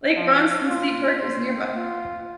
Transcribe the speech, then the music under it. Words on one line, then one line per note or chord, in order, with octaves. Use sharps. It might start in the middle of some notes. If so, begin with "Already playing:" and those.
Lake Bronson State Park is nearby.
F3
F4
C5
F4